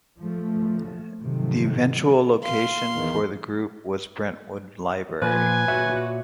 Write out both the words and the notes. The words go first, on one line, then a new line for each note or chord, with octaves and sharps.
The eventual location for the group was Brentwood Library.
F3 A3
G#2 C3 D#3 F3 F#3 A3
F5 C6
E2 D#3
A#2 F3 B4 G#5
A#2 F#4 C#5 E5